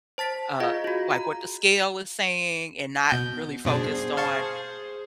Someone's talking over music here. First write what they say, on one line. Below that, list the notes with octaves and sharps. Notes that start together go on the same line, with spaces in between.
uh, like, "What the scale is saying," and not really focused on,
C5 A5 A6 B6
F4 G#4 D#5 F5
F4 F#4
A#5
B2 G6
G2 B2 D4 G#4 C5
F5 A5 C#6